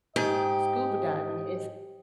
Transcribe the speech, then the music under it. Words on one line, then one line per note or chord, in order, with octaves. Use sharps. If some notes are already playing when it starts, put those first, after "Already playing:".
scuba diving. It's
G#2 G4 D#5